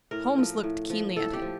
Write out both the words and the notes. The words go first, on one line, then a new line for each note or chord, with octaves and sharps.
Holmes looked keenly at him.
A2 A#4
F3
A2
F3
A2 A4
G4
F3